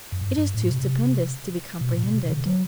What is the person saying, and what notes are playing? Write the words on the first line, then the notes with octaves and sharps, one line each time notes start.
It is too stupendous to be comprehended.
F#2
G2
G2
A2
C3
B2
A2
B2
C3
D3
F#3